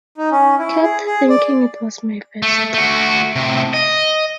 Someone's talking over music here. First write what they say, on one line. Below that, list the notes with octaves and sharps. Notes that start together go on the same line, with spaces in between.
Kept thinking it was my vest.
D#4
C#4
E4
G#4
G#4
D5
A3
A3 F#4
A2 C3
D#5